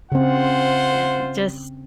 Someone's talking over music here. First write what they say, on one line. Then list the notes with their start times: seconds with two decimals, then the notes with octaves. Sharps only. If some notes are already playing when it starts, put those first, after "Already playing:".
e eh just
0.12 C#3 C4 F4 C5 F#5